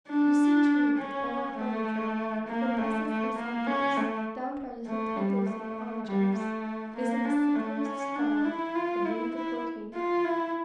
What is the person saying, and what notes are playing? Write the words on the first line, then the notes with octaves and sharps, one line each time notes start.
You see too that all our furniture, from presses and sideboards, down to our little tables and our arm-chairs, is in the severest style of Louis the Fourteenth.
D4
C#4
A3
A#3
A3
A3
A#3
C#4
A3
A3
G3
A3
G3
A3
A#3
D4
A3
C#4
D4
E4
F4
E4
E4
F4
E4